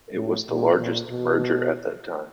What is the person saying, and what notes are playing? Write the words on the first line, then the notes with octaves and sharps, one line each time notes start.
It was the largest merger at that time.
A2
A#2
A#2
B2